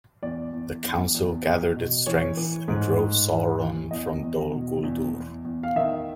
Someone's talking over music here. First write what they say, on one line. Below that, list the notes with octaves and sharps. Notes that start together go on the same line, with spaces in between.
The Council gathered its strength and drove Sauron from Dol Guldur.
E2 D5
E2
E2
E2
E2
B2
E3 C#5
E3
G#2
G#2
E3
E3
E2 D#5
E2
B2
E2
E2
E2
F5
D#3 E5